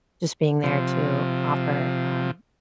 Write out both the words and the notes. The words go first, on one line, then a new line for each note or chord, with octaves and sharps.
just being there to offer, um,
C3 F3